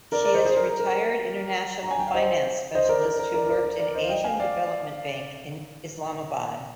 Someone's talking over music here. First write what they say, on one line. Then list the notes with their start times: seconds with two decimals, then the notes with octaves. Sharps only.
She is retired international finance specialist who worked in Asian Development Bank in Islamabad.
0.12 A#4 D5
0.25 D5
0.34 C5 D#5
0.45 G#4 C5
0.57 A#4
0.69 A#4
0.79 A#4
1.83 A#5
1.91 G#5
1.99 G5
2.07 F5
2.14 C5 D#5
2.75 C5 D#5
2.89 A#4 D5
3.05 A#4
3.19 A#4
3.34 A#4 D5
3.49 A#4 D5
3.65 A#4 D5
3.79 A#4 D5
3.94 C5 D#5
4.04 F5
4.09 D#5 G5
4.24 F5 G#5
4.39 D5 F5